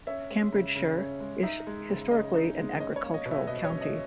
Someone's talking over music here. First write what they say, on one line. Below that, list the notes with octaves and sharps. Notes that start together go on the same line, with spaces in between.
Cambridgeshire is historically an agricultural county.
C#4 E5
G#3
C#3
C#3
C#4
G#3
D#4 E5
G#3
C#3
C#3 D#5
D#4
G#3
C#4 D#5
C#5
A#3
D#5
B2
E5
B2 D#5
C#5
C#4
D#5